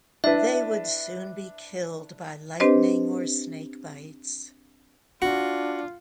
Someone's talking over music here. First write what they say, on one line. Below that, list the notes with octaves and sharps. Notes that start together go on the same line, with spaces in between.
They would soon be killed by lightning or snakebites.
D4 E4 B4 E5
C4 D4 G4 B4 C5 D#5
D4 F4 F#4